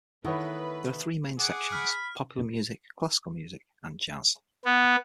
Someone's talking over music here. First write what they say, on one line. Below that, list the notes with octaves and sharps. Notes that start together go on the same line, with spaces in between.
There are three main sections - popular music, classical music, and jazz.
D#3 A3 B3 E4 B4 C#5
G#4 F#5 D6
B5 F6
B3